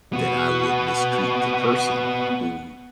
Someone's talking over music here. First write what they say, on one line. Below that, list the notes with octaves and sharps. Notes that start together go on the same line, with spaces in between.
that I would mistreat the person who,
B3 F#4